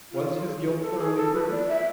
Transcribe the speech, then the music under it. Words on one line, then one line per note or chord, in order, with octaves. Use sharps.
Was his guilt thoroughly proved?
F4
A4
G#4
A4
G#4
A4
B4
D5
E5